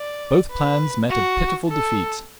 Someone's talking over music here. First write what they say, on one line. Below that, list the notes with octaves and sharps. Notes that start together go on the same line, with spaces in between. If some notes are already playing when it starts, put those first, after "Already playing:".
Both plans met a pitiful defeat.
Already playing: D5
B4
F#4
A4